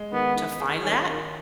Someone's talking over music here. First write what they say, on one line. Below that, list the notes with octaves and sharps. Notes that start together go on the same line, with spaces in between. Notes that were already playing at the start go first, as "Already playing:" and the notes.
to find that.
Already playing: G#3
D#3 B3
D#3
G#4
D#3 C#4
D#3